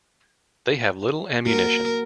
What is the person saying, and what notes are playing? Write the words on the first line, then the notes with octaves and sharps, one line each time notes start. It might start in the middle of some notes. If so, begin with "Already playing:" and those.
They have little ammunition.
A#3 F#4 A#4